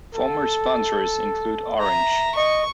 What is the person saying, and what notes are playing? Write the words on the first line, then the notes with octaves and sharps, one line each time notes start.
Former sponsors include Orange.
A4
E5 A#5
D#5 C#6 C#7